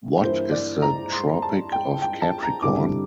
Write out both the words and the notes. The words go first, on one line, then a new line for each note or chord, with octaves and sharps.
What is the Tropic of Capricorn?
G2 E3 A#3 E4 C5
D5
A#5
C6
A5
G5
G5
A5
A#5
G2 D3 G3 C4 E4 D6